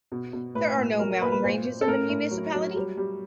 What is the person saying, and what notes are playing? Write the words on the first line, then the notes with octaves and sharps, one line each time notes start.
There are no mountain ranges in the municipality.
B2
B2
A2 B4
A2
F#3 A#4
A#4
A#2 B4
B4
A#2 C5
A#2
A4
A2 A#4
A2
F#3
F#3
G3
G3